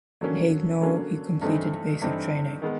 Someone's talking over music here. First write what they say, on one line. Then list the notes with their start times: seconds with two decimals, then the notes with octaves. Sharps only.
In Haguenau he completed basic training.
0.21 D3 F#3 A#3 C#4
0.81 D3 F#3 A#3 C#4
1.42 G2 E3 A3 C4 D#4
2.02 G2 E3 A3 C4 D#4
2.62 D#3 G#3 B3